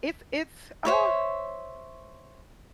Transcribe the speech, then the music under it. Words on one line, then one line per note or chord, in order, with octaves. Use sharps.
it's it's, uh
C5 C#5 E5